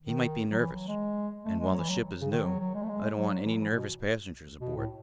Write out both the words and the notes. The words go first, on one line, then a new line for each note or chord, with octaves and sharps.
He might be nervous, and, while the ship is new, I don't want any nervous passengers aboard.
D#3
F#3
E3
F#3
G#3
A3
G#3
F#3
E3
F#3
C#3
D#3
F#3
F#3
G#3
A3
G#3
F#3
E3
F#3
E3
A2
B2
B2
A2